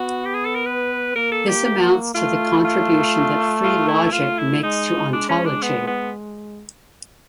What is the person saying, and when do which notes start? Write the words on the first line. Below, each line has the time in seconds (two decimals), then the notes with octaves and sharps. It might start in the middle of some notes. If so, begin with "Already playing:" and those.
This amounts to the contribution that free logic makes to ontology.
Already playing: B3 F#4
0.25 G4
0.35 G#4
0.45 A4
0.55 A#4
0.66 B4
1.16 A#3 A#4
1.32 A4
1.49 G4
1.65 G4
1.82 F#4
2.15 A3 F4
2.65 F4
3.64 F4
3.89 E4
4.13 A3 F4
4.38 E4
4.63 G#3 D#4
5.13 D4
5.29 C#4
5.45 D4
5.63 B3
5.88 B3